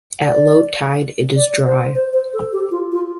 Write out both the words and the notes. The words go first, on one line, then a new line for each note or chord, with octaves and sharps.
At low tide it is dry.
D5
D5
C5
C5
C5
A4
G4
F4
F4